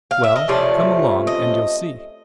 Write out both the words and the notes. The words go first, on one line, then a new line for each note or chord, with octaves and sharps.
"Well, come along and you'll see!"
F5
E5
D#5
C3 F3 A3 C#4 D5
D#5